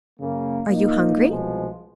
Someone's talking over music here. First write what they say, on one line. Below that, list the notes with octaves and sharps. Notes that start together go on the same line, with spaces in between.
"Are you hungry?"
F#2 C#3 A#3
A#2 A#3 D#4
C2 B2 F3 G#3